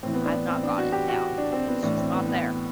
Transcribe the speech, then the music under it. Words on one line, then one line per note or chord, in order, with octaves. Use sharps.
I've not got it down, like, it's just not there.
A2 E3 C4
B3
D4
D4
C4
D4
F#4
G4
F#4
D4
C4
B3
A2 E3 D4
C4
B3
B3